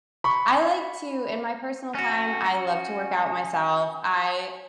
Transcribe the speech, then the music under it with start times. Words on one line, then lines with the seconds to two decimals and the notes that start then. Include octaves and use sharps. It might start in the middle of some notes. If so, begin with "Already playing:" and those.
I like to in my personal time, I love to work out myself, I,
0.24 B5 C#6
1.95 C#4 F#4